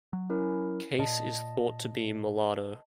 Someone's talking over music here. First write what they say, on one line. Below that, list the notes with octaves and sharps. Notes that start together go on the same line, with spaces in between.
Case is thought to be mulatto.
F#3
C#4 E4 A#4
A#2 D#5 A5